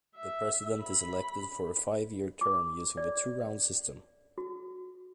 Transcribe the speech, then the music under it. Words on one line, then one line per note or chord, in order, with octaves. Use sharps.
The President is elected for a five-year term using the two-round system.
E5
B5
D6
D5
F#4